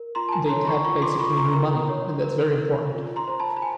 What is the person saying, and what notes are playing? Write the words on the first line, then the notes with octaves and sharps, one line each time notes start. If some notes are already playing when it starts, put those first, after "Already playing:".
They tap basically new money, and that's very important.
Already playing: A#4
F4 A#5 C6
A5
G#5 A#5
C#5 A#5 C6
B5 C#6
F4 B5 C#6
C6 D6
F4 B5 C#6
C#6
A#5 C6
A#4
C#5
A#4
A#4
F4
A#5 C6
C5
A5 B5
B5
G#5